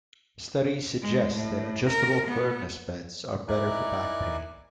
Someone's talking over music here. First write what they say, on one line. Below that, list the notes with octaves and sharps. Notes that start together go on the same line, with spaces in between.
Studies suggest that adjustable-firmness beds are better for back pain.
G#3
A2
A#4
B3
D#4 E4 A#4 D5 G#5 F#6